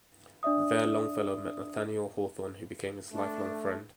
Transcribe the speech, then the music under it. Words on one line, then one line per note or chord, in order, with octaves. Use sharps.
There Longfellow met Nathaniel Hawthorne who became his lifelong friend.
D4 D5 E5 D#6
A3 D4